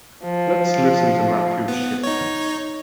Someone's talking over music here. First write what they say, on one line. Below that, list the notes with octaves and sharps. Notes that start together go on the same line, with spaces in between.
Let's listen to Matthew Shipp.
F3
B3
D#4 C#5